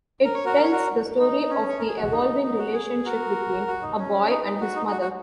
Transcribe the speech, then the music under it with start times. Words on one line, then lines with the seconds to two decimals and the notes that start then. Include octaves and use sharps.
It tells the story of the evolving relationship between a boy and his mother.
0.25 A#4
0.35 C#5
0.45 F#4 A#4
0.56 A#4
0.64 C#5
0.72 F#4 A#4
1.19 D#4
1.49 C#4
1.69 C#5
1.78 A#4
1.87 G#4
1.96 F#4
2.12 D#4
2.43 D#4
2.58 F#4
2.74 G#4
3.05 F#4 A#4
3.67 F#4
3.82 D#4
3.98 C#4
4.30 D#4
4.44 D#4
4.61 F#4
4.76 D#4
4.86 D#4
4.91 F#4
5.01 F#4